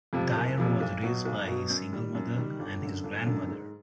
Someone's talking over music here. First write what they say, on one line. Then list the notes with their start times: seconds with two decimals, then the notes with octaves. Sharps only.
Dior was raised by his single mother and his grandmother.
0.13 F2 C3 F3
0.36 F#1
0.57 F2 C3 F3
0.81 B1
1.03 B2 F#3
1.25 B1
1.47 B2 F#3
1.70 F#2
1.93 D#3 G3
2.15 F#2
2.38 D#3 G3
2.59 G1
2.82 F#2 D3
3.04 G1
3.26 F#2 D3
3.48 G#2